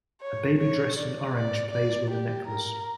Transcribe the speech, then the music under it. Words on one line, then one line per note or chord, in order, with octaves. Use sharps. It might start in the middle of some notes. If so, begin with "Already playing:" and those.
A baby dressed in orange plays with a necklace.
C#5
C#5
D5
D5
D5
G4
A#4